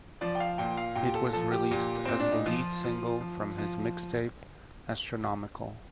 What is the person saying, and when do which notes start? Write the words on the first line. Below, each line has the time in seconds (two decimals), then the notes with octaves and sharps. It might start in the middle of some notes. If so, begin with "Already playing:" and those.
It was released as the lead single from his mixtape "Astronomical".
0.21 F3 D5
0.35 G5
0.40 F5
0.58 A#2 G5
0.77 F5
0.96 A#2 G5
1.05 G4
1.15 A4
1.33 F3 A4
1.52 G4
1.71 A#2
2.05 A#2 C4
2.19 D4
2.32 D#4
2.46 F3 F4
2.84 F3
3.21 F3
3.58 F3